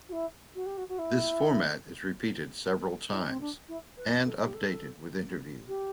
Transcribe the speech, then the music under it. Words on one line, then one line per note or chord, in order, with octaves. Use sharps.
This format is repeated several times and updated with interviews.
F#4
E4
F#4
G4
F#4
F#4
E4
E4
C4
D4
E4
B4
A4
G4
A4
G4